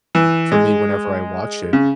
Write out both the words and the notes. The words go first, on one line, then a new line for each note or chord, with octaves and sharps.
for me whenever I watch it.
E3
G#3
C#3